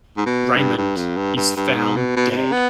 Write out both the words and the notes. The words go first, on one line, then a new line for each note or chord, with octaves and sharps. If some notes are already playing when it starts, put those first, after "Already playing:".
Raymond is found dead.
G#2
B2
G2
G2
F2
G2
G2
G2
G#2
B2
B2
B2
C3
B3